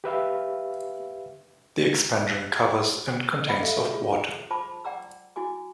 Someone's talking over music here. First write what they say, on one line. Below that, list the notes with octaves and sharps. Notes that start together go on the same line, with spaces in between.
The expansion covers and contains of water.
G4 B4 E5 F5
D5 D#5 F#5 B5 D6 D#6
A4 E5 F5 D#6 E6
E4 F4 G#4
F4 C5 A5 B5 D6
D5 F#5 G5 A#5 D6 E6
E4 F#4 G#5 D6